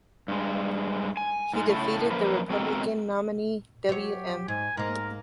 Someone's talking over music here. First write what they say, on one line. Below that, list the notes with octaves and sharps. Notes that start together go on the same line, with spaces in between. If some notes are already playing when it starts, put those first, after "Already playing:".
He defeated the Republican nominee Wm.
G2 G#3
G#5
G#2 G#3
A2 C#3 A3 E4 A4 C#5
F#2 F3 A#3 A#4 B4
B2 G#3 C4 F#4 A4 A#4
F#3 G4 C#5
G#2 G#5
G#2 A#3 A#4